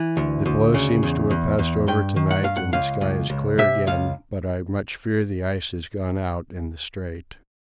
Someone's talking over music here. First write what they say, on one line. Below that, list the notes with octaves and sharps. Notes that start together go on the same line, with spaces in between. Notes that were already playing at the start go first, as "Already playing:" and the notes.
The blow seems to have passed over to-night and the sky is clear again, but I much fear the ice has gone out in the Strait.
Already playing: E3
D2
D2
C#3
E2
E2
E2
G2 G5
D#3
F#5
G2 F5
F#5
C#2 F5
C#2
C#2
C3 E5
C#2 F5